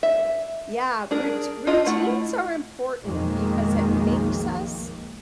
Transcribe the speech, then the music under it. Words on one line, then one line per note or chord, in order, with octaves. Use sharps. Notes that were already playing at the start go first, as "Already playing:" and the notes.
Yeah, rout routines are important because it makes us,
E5
D4 G#4 A#4
D4 F4 D#5
A3 E4 F#5
B1 F2 D#3 G#3 A#3